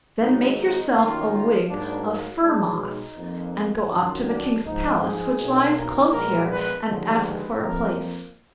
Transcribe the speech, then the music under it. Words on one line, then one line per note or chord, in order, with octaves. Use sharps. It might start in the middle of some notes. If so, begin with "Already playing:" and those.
Then make yourself a wig of fir-moss, and go up to the king's palace, which lies close here, and ask for a place.
G#1 G#2 F#3 D#4
D#4
F#2 D#3 A#3 F4
F4
G#2 F#3 A#3 D4
B1 B2 G#3 B3 D4
D#4
F2 F3 A#3
F#2 D#3 F#3 F4
D4
G#2 F3 G#3 D#4
G#4
B1 B2 A#3
A#4
A#1 A#2 G#3 B3 A#4
B4
D#2 D3 F3 G#3
B4
F2 F3 A#3 A#4